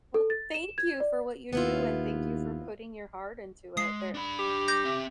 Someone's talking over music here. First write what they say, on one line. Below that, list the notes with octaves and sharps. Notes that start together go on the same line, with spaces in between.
Well, thank you for what you do, and thank you for putting your heart into it. There
A4
A6
E7
G#6
D5
D#2 B3 E4 F4
G#3 D#6 C7
D4 B5
G4
D6 G6 A#6
C4 E5